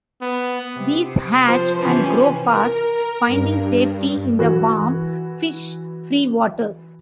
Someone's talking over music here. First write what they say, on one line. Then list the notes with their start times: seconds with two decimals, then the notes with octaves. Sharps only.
These hatch and grow fast, finding safety in the warm fish-free waters.
0.22 B3
0.75 C3
1.45 F3 C5
1.79 C3 E3 F3 C#4 B4
2.45 A#4
3.27 G2
4.39 E3 F#4